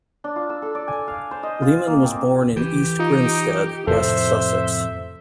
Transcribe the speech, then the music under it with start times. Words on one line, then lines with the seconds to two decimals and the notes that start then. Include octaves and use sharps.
Leman was born in East Grinstead, West Sussex.
0.24 D4
0.36 F4
0.50 E6
0.62 A4
0.75 D5
0.88 G#5
1.08 F5
1.31 C5
1.43 D#5
1.62 F4
1.87 A#3
2.05 C4
2.56 E3 G4
2.99 D#4 F4
3.87 F2 A2 C3 A4 C5 E5